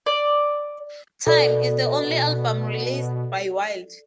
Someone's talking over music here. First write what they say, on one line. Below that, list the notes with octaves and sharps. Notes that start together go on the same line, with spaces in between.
"Time" is the only album released by Wild.
D5
B2 A4 D5